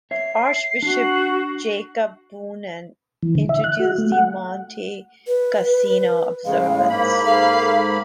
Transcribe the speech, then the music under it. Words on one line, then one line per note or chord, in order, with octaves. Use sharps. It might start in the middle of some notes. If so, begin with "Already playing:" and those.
Archbishop Jacob Boonen introduced the Monte Cassino observance.
C#5 E5 C7
D4 F#4
E3
D3
E5
F#6
F#4
A3
F#5
B4
A2 C#3 G#3 F5
G#2 A#3 B5
A4 F5